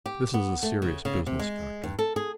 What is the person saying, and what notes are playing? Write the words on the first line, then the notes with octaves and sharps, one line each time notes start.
"This is a serious business, Doctor."
G4
B3
A3
C#3
C#3
C3
G#3
G2
A4
G#4